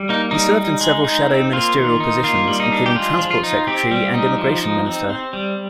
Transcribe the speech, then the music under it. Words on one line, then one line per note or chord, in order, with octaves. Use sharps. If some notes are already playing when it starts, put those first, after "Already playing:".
He served in several shadow ministerial positions, including Transport Secretary and Immigration Minister.
Already playing: G3
A#3 D#4
G3 D#4
D#4
G#3
D#4
C4
A#3 F4
D#3
D#4
A#3 F4
G3
D#4
D4
G4
G#3 F4
F3
F4
D#4
C4 G4
G3
D#4
F3
D#4
C4
C4
G3